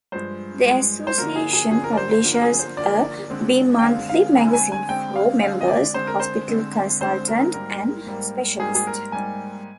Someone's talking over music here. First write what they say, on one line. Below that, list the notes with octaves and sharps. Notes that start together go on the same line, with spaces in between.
The association publishes a bi-monthly magazine for members, Hospital Consultant and Specialist.
G2 F3 G#3 C5
G2 F3 G#3
C5
D3 F3 A#3 A#4
G#4
G#4
D3 F3 A#3 G#4
A#4
D5
C5
C5
D3 F3 A#3
A#4
G#4
C5
D3 F3 A#3 D5
D3 G#3 C4
G5
D3 G#3 C4 F5
F5
D3 G#3 C4 G#5
G#5
G#5
D3 G#3 C4 G5
F5
D3 G#3 C4 F5
D#5
D5
D3 G#3 C4 C5
A#4
C5
D3 G#3 C4
D3 G#3 C4 C5
A#4
G#2 G3 A#3 A#4
G#2 G3 A#3
G#2 G3 A#3 G#4
G#4
A#4
G#2 G3 A#3 G#5